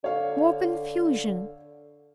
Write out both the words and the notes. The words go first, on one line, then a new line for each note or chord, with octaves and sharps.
More confusion.
D3 C#5 F5